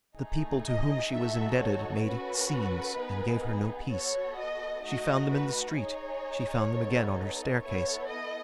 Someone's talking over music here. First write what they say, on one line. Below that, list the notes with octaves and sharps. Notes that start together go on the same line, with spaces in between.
The people to whom she was indebted made "scenes" and gave her no peace. She found them in the street, she found them again on her staircase.
A3 D#4 G#4
D#5
D#4 F#4 A4 E5
C#5
C#4 F#4 A4 B4
B3 D#4 G#4
B3 F#4 A4 C#5
D#5
A3 D#4 F#4 D#5
B4
D#4 G#4 C#5
B3 D#4 A4
B3 E4 A4 C#5
D#5